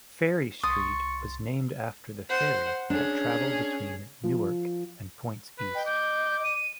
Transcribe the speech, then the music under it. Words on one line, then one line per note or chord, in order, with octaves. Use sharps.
Ferry Street was named after the ferry that traveled between Newark and points east.
C2 C6 C#6 D#6 A6
C5 F#5
C#4 D4 G#4
F3
B4
D#5 G5
D6 G6
D#7